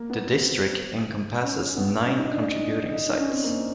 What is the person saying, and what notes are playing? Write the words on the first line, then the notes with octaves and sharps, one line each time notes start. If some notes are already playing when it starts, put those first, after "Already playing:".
The district encompasses nine contributing sites.
Already playing: A#3
B3
C4
C#4
C#4
B3
C#4
D#4
D4
D#4
D#4
D4
C#4
C4
A#3